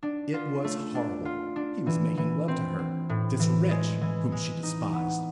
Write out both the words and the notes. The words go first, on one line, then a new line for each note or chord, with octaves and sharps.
It was horrible; he was making love to her, this wretch, whom she despised.
D4
F4
A3
D4
F4
D4
E3
E3
C4
C4
A2
E3
G#3
E3
G#3
D#4
B3